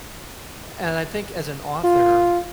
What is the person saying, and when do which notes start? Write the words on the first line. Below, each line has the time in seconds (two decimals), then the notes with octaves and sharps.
and I think as an author
1.84 F4